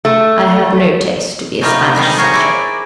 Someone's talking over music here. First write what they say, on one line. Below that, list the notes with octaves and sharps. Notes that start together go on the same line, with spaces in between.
"I have no taste to be a Spanish subject."
A3
C3 A3 B3 D#4 F4 G4
D#3 G3 G#3 D#4
F#4 G#4 A#4 C5 C#5
E4 D5